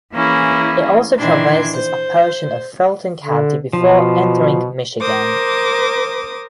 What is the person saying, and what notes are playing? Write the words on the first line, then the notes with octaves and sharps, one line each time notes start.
It also traverses a portion of Fulton County before entering Michigan.
E3 A#3 C#4 E4 G#4
A#2 D#3 E3 D4 C6 G#6
C5
D3
B2 F3
A#4 C5 D6 D#6